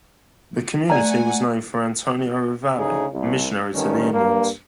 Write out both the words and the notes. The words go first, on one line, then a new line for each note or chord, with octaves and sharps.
The community was named for Antonio Ravalli, a missionary to the Indians.
A3 D5 F#5 G#5 A#5
D2 C#3 D#4 G#4
C2
D2 G2 D#3 C#4
G2 A#3